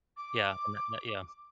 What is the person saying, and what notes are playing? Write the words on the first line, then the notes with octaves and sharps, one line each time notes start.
yeah, and that that yeah.
D6